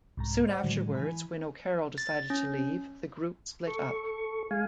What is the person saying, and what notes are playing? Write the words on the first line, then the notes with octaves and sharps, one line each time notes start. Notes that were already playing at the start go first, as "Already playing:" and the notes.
Soon afterwards, when O'Carroll decided to leave, the group split up.
C2 G#2 A#5
C5 D5 F#5
A2 D3 D#3 F#3 G#3
E3 G#5 B5
A6
C#4
A4 C#6
G#3 F5 G#5